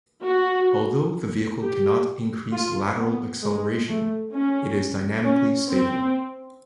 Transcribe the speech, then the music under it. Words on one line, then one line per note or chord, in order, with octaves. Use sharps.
Although the vehicle cannot increase lateral acceleration, it is dynamically stable.
F#4
G4
F4
B3
G#3
A3
C#4
C#4
C4